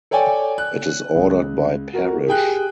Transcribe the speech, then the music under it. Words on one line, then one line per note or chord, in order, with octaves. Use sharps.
It is ordered by parish.
A4 C#5 D5 G5 G#5
F#6
C#2
F#4 A#4
G4 G#4 G5 F#6